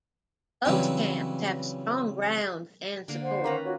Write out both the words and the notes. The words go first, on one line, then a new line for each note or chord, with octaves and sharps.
Both camps have strong grounds and supporters.
C#3 E3 F#3 G3 C4
D3 A#3
C5 F#5
D#3 A#3 C#4 B4 A#5
F4 F#4 C#5